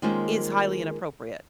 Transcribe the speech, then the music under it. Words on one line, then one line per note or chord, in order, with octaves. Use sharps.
is highly inappropriate.
D#3 G#3 A#3 C#4 F4 C5